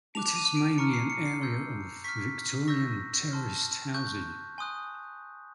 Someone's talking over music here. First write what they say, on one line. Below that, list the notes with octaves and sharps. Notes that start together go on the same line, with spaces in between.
It is mainly an area of Victorian terraced housing.
A5 D6 F#6 F7
D#7
D7
A#5 C#6 F6 C#7
C7
C#7
C7
C6 E6 G6
C#6 F6 B6
C#6 E6 G6 A#6
A5 C6 F6
C#6 F#6 G6
G#5 C6 D#6 F#6